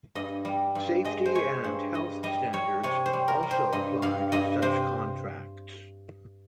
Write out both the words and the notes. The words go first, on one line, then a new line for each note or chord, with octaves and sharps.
Safety and health standards also apply to such contracts.
G2 D#5
G3
G2
G#3 D#5
C5
G#3 C#5
G2 C5
G2 D#5
G3 D#5
G3 C#5
C3 C#5
C5
G3
A#4
G3
C5
G2 D#5
G2 F5
G2 D#5
C3 C5